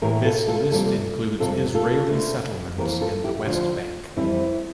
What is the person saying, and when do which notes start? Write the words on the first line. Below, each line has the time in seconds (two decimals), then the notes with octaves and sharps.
This list includes Israeli settlements in the West Bank.
0.02 A2 E3 A#3 G4 A#4
0.24 F4 A4
0.48 F4 A4
0.71 E2 C3 G3 A#3 F4 A4
1.40 F2 C3 G3 F4 A4
1.74 F4 A4
2.09 D2 D3 A3
2.78 F2 E3 A#3 G4 A#4
3.01 F4 A4
3.24 E4 G4
3.39 G4
3.47 D2 D3 F3 D4 F4
4.16 F2 E3 G3 C4 E4